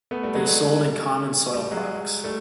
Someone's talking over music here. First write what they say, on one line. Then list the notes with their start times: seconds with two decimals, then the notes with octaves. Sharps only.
They sold in common soil products.
0.11 A3 B3
0.23 G3 A3
0.34 F#3 G#3
0.47 G3 A3
1.54 G3
1.71 F#3 G#3
2.24 G3 A3